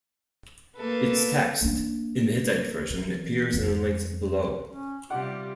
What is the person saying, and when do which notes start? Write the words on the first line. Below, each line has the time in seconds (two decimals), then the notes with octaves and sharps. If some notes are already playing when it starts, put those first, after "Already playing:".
Its text, in the Hittite version, appears in the links below.
0.76 A#3 A4 B4
1.61 A#3 D4
2.90 E3
3.53 F2 B3
4.70 C#4
5.10 C3 G3 F4 G4 F#5 D6